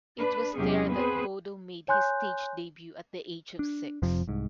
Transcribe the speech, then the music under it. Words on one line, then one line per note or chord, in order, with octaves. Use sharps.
It was there that Bodo made his stage debut at the age of six.
D4 B4
E2 C3 F#3 C#4 G4 G#4
B3 C4 G#4 B4 C5
C#5 G#5 C6 F#6 G6
D4
F1 F2 C3 F3
C2 G#2